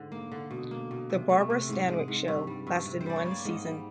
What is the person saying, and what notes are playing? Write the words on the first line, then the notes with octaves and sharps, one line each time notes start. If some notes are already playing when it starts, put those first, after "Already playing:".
"The Barbara Stanwyck Show" lasted one season.
Already playing: G#2 D3
A#3
D3
B2
A#3
B2
C3
A3
C3
G#2
G#3
G#2
G2
G3
G2
C3
C5
G3 D5
C#5
A#3
D5
G#2 D#5
G3